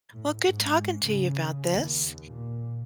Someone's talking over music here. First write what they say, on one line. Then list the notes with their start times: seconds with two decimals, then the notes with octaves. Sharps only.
Well, good talking to you about this.
0.12 A2
0.45 G#2
1.03 C#3
1.71 D#2
2.30 A#2